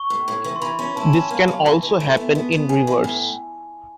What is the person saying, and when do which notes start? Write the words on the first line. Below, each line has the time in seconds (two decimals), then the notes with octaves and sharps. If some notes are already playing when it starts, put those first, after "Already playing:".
This can also happen in reverse.
Already playing: C#6
0.10 A2
0.28 A2
0.44 E3
0.56 C6
0.62 E3 B5
0.79 C#4 B5
0.96 E4 A5
1.06 G#5
1.13 C#4 A5
1.30 A#3
1.48 F#3
1.66 E3
1.83 E3
2.00 A3
2.17 B3
2.35 B3
2.52 B3
2.69 A2 G#5
2.87 E3
3.04 A2